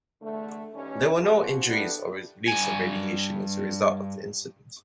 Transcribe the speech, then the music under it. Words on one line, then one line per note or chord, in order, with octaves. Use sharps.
There were no injuries or release of radiation as a result of the incident.
E2 D3 A3
G2 D#3 G3 C#4
F3 F#4 G#4
B3 D4 E4 G4 A4
G2 G#5